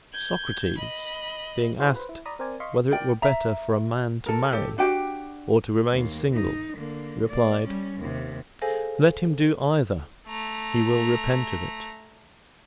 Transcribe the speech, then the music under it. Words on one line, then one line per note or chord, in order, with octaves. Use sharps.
Socrates, being asked, whether it were better for a man to marry, or to remain single, replied,--"Let him do either, he will repent of it."
G6 G#6
D#5 B5
E4 F#4 G#4 C5 F5 C6
B4 C5
E4
D5 A#5 B5 D#6
C4 A#4 C5 D5 G#5
D#5 F5 C6 C#6 B6
A#4 D5 G5
E5 A#5
A4 A#4
G4 A4
D4 F#4 G4 G5
D#2 A#3
D#4
D3 A#3
A#3 D5
G3 C#4
D#2 C3
G#4 A4 C5 F5 G#5 A#6
A3 A#5